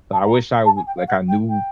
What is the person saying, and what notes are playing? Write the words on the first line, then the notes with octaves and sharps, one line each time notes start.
So, I wish I would like, I knew
A5
A#5
A5
G#5
G5
F5
F#5
G5
G5